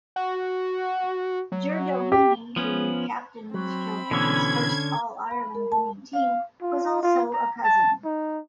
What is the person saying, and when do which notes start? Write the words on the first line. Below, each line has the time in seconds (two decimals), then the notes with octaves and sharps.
Jer Doheny, who captained Kilkenny's first All-Ireland winning team, was also a cousin.
0.16 F#4
1.52 F#3
2.12 G4
2.56 F3 B3 C#4
3.54 F#3 C4 B5
4.11 B2 D3 E3 C#4 G#6
5.31 B5
5.55 A#4
5.72 A5
6.14 F5
6.62 F4
7.03 F4
7.33 A#5
7.64 A5
8.05 D#4